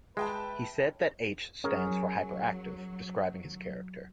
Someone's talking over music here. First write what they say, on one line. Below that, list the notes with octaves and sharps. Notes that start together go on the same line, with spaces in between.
He has said that "H" stands for "hyperactive", describing his character.
G#3 B4 E5 G5 A5
F#3 C#4 G#4 A#4